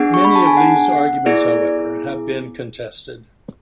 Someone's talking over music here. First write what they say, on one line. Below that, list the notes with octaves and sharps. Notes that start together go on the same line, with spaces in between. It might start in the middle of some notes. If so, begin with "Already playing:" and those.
Many of Lee's arguments, however, have been contested.
Already playing: B3 D4 G#4 F#5
C#6
B5
A5
G#5
F#5
F#5
B3 E4 G#4 D5